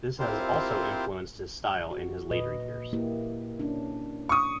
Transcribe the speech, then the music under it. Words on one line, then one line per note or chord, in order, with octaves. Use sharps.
This has also influenced his style in his later years.
C4 E4 F4 G4 A#4 C5
F#4
A#2 B4 D#5
A#3 E4 G4
C#4 D4
C#6 D#6